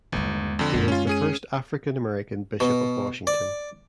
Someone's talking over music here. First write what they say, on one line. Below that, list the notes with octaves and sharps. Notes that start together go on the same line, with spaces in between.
He was the first African-American Bishop of Washington.
G1 D#2 G#3
F2 D3
F#2 G#3
C#4 F4
C#4 G#4 D#7
B2
D5